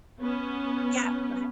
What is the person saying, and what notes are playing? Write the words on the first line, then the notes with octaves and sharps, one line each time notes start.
yeah, go ahead.
B3 C#4